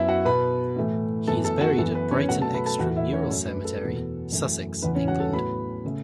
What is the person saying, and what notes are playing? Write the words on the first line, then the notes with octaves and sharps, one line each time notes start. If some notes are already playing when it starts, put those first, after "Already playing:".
He is buried at Brighton Extra Mural Cemetery, Sussex, England.
Already playing: F#2 F#3 B3 E4 E5
F#4 F#5
B2 B3 B4 B5
A2 E3 A3
F#2 E3 B3 A4 A5
A4 A5
F#4 F#5
F#2 E3 B3 A4
B4
C#4 C#5
B2 F#3 A3 F#4 F#5
A4 A5
B4 B5
A4 A5
E2 E3 A3 F#4 F#5
E4 E5
C#4 C#5
F#2 F#3 A3 A4
B4
A4
E2 B2 B3
F#2 E3 A3
E2 C#3 E3 B4
C#4 C#5
F#4 F#5
A4 A5
A2 F#3 B3 B4 B5
C#3 A3